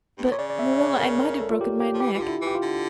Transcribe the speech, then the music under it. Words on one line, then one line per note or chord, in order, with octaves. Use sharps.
But, Marilla, I might have broken my neck.
G2
A2
A#2 C#5
C#3 D5
D5
E5
C#5
A#4
A#4
A4
F4
G4
G4
F3
E3 G4
E3
D3 F4
E4
E3
G4
F4
D3